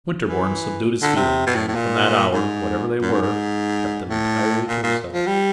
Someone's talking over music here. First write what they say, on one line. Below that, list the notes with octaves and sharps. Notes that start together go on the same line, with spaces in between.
Winterborne subdued his feelings, and from that hour, whatever they were, kept them entirely to himself.
E3
D3
C3
B2
A2
A2
A#2
G#2
F#2
G#2
G#2
A2
A#2
A#2
F3
G3